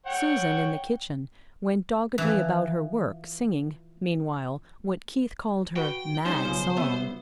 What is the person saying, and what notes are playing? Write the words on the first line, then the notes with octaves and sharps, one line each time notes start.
Susan, in the kitchen, went doggedly about her work, singing, meanwhile, what Keith called her "mad" song.
C#5 F#5 G5
E3 F3
F#4 B4 G5
G3 C#4 D#4 C5 G#5 C6
B1 C#3 F3
C2 B3 B4 C#5 E5